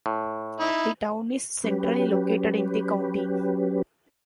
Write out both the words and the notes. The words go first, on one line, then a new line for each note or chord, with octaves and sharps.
The town is centrally located in the county.
A2
D#4 E4
F#3 C#4 G4 B4